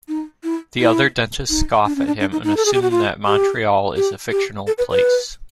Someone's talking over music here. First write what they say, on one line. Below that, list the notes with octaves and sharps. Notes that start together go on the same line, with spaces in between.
The other dentists scoff at him and assume that Montreal is a fictional place.
D#4
E4
E4
D#4
D4
C#4
D4
D4
D#4
D#4
A4
G#4
G4
F#4
F4
G4
G4
G4
A4
B4
B4